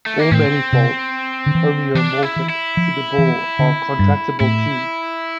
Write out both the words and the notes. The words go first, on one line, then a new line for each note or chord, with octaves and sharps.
All manifolds homeomorphic to the ball are contractible, too.
A3
A#3
A2 C4
C3
D3
E3
E3 D4
E4
E3
E4
F3
E3
D3
G2
A2 E4